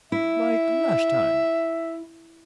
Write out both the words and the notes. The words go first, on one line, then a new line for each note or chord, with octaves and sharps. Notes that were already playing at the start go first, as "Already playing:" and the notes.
"Like last time?"
E4 E5